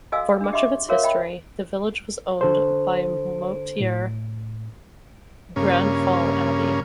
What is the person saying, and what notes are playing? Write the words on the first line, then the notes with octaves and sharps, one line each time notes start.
For much of its history, the village was owned by Moutier-Grandval Abbey.
F#4 A4 D#5 F5 G#5 E6
D4 G#4
G4 D#5 E5 C6 D6
F#4 G#4 A#4 C#5 E5 F5
D#5 E5 G5 B5
D3 A4 C5
A2
G2 C#3 A#3 C#4